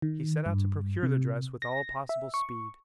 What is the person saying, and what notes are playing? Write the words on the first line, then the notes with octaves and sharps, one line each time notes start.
He set out to procure the dress with all possible speed.
D#3
G2
C3
A#6
E5
C#6